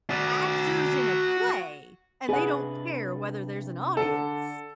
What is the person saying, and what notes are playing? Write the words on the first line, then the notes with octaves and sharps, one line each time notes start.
actors in a play, and they don't care whether there's an audience.
F#4 D5
C3 D4 G#4 B4 F#5
D3 A4